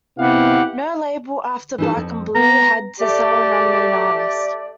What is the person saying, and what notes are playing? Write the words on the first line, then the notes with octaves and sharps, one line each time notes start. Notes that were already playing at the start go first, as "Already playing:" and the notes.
No label after Black and Blue had to sell an unknown artist.
C3 B3 E4 G4 F5 F#5
E3 D#4 A4
F2
B3 A#5
A3 G4 D5